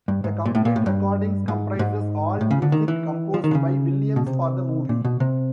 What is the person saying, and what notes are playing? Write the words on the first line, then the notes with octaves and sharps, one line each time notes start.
The complete recordings comprises all music composed by Williams for the movie.
G2
G#2
A#2
A2
A#2
A2
G2
G#2
G#2
A2
C#3
D3
D#3
E3
F3
D#3
D3
C#3
B2
C3
A#2
B2
C3